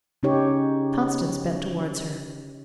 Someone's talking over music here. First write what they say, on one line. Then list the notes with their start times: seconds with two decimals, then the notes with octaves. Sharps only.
Constance bent towards her.
0.23 C#3 C#4 D#4 G4 C#5